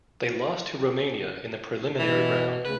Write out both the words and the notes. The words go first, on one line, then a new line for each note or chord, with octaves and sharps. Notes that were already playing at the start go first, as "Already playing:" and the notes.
They lost to Romania in the preliminary round.
B2 E3
D2 C#3 B4